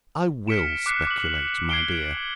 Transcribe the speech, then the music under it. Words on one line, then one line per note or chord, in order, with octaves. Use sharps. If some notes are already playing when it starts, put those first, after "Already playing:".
I WILL speculate, my dear.'
F6 B6 C#7 D7 E7
D6 F#6 C7 C#7
D6 F#7
G#6 C7 D7 G7